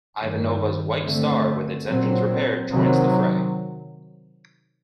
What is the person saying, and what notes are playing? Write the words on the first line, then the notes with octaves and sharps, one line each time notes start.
Ivanova's "White Star", with its engines repaired, joins the fray.
G2 D#3 G3
D3 A3 C4
A#2 F#3 C4
C3 D#3 F#3 C4